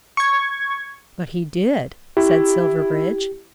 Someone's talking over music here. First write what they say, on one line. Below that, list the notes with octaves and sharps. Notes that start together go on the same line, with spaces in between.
"But he did," said Silverbridge.
C#6 G#6
E4 G4